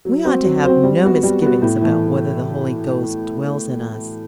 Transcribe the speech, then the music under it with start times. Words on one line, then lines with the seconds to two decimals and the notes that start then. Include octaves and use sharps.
We ought to have no misgivings about whether the Holy Ghost dwells in us.
0.05 F#3
0.25 C4 F#4 C5
0.45 F#3
0.64 C4 F#4 C5
0.84 G3
1.03 B3 F#4
1.23 G3
1.42 B3 F#4
1.62 A2
1.81 E3 A3